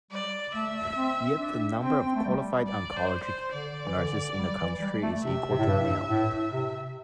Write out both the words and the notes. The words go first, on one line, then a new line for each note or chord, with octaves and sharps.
Yet, the number of qualified oncology nurses in the country is equal to nil.
G3 D5
A3 E5
C4
D4
C4 G5
C4
A3
G3
D5
C5
C5
D3 D5
E3
D3
G3
E3
G3
A3
C3 E5
C3
A2
G2
A2
C3